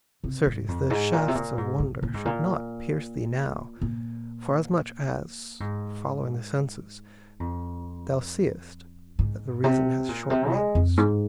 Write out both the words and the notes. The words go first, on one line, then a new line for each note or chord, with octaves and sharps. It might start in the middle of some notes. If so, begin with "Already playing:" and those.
Certes, the shafts of wonder should not pierce thee Now, forasmuch as, following the senses, Thou seest that the reason has short wings.
C3
G#2
F2
G#2
A#2
C3
A#2
G#2
C3
A#2
G#2
A#2
A#2
G#2
F2
G#2
C3
A#2
C3
G#3
F2
G#2